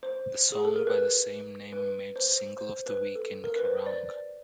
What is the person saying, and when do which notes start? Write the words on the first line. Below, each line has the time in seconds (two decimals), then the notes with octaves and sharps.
The song by the same name made Single of the Week in Kerrang!
0.03 C5
0.52 G#4
0.65 A4
0.76 A#4
0.87 B4
1.73 B4
2.16 C5
2.58 C5
2.86 B4
3.15 A4
3.44 A#4
3.56 B4
3.65 C5
3.86 D5